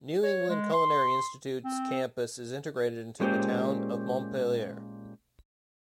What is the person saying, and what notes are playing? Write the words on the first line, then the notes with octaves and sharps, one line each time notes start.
New England Culinary Institute's campus is integrated into the town of Montpelier.
C#5
G#3
C6
C4
A#2 G#3 C#4 G4 C5 G5